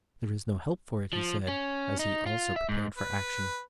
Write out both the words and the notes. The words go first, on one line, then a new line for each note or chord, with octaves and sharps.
"There is no help for it," he said, as he also prepared for action.
F3
C#4
D#4
F4
E5
G#2
B4